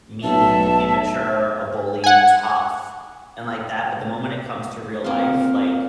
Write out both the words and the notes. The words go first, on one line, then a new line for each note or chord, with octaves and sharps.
mean, immature, a bully, tough, and like that, but the moment it comes to real life, like
B1 E5 A5
F#5 G#5
A#3 C4 F4